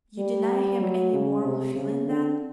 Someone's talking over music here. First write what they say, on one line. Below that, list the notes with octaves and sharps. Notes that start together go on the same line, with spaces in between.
You deny him any moral feeling then?
G3
F#3
C#3
C3
C#3
D3